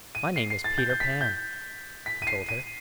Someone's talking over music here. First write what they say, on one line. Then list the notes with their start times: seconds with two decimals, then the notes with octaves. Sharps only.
"My name is Peter Pan," he told her.
0.15 D#7
0.36 C7
0.50 C7
0.64 A6
0.78 G6
0.90 G6
1.00 B6
1.21 G6
2.06 B6
2.22 D#7
2.27 C7
2.49 D#7